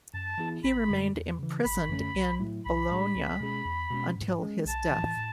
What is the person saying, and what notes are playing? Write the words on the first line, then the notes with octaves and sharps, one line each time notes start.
He remained imprisoned in Bologna until his death.
F#2 A5
E3 B3 E4 G#4
G#1 B5
F#2 D3 G#3
E2
C#3 E3
G#1 B5
F#2 D3 A3 C#4
B1
A2 F#3 A3 E4
B1 B5
A2 G#3 D4 G#4
C#2
B2 G#3 C#4 G#4
E2
B2 G#3 C#4
G#2
G#3 C#4 G#4
B1 A5
E3
A2
A2